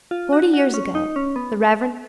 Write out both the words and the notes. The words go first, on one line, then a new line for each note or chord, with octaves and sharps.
Forty years ago, the Rev.
F4
F#4
F#4
C#4
D#4
C#4
B3